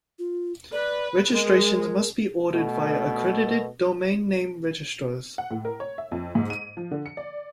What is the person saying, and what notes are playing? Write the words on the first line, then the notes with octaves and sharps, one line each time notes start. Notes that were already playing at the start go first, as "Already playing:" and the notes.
Registrations must be ordered via accredited domain name registrars.
F4
B4 D5
G#3 A#4
B2 A3
F#5
A2
A#4
C#5
E5
F2
G#2
D#7
F3
D3
C#7
D5